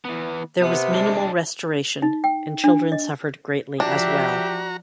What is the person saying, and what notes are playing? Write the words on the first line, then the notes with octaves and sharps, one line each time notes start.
There was minimal restoration and children suffered greatly as well.
E3 B3
C3 B3
G#3 D4
D#4
G5
D4
D#5
F3 D4 F#4 G4 E5 A#5